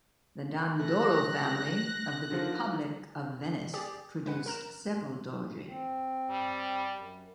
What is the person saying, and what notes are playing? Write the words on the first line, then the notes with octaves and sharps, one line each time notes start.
The Dandolo family of the Republic of Venice produced several Doges.
A3 F#6 A#6
D3 D#3 F3
G4 G#4 D5
G#3 B4 F#5
A#4 A#5 F#6 E7
C4
G3
F#2